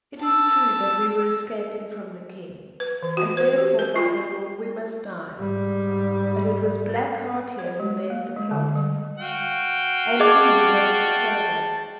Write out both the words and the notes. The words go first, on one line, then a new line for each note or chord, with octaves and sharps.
It is true that we were escaping from the king, and therefore by the law we must die; but it was Black Heart here who made the plot, and he who has betrayed us.
A5 E6
B4
E3
F#4
C5
G4
A#4
F4
G#2 G3
C#5
G#3
A#3
G#3
D3
G3
F#4 F5 G5
G#4 D#5 A5 D6